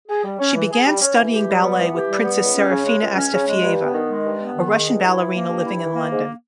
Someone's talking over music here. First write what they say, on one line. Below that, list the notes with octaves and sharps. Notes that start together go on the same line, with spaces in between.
She began studying ballet with Princess Serafina Astafieva, a Russian ballerina living in London.
G#4
G3
C#4
E3
G#4
G3
C#4
E3
G4
G3
B3
E3
G4
G3
B3
C#2
C#4
C#3
G#3
C#2
C#4
C#3
G#3
G2
B3
D#3
G#3
G2
B3
D#3
G#3
G2
E4
E3
A#3
G2
E4
E3
A#3
G#2